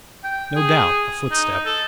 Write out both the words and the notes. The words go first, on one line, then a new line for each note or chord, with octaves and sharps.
No doubt, a footstep.
G5
G#4
D#4
A4